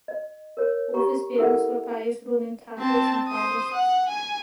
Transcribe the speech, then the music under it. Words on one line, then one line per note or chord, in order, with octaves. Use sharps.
Both his parents were pious Roman Catholics and Carlists.
D#5
A#4 C#5
G4 A#5 C#6
E4 A4 A#4 E5 F#5
C4 A5
C5 D#6
F#5
G#5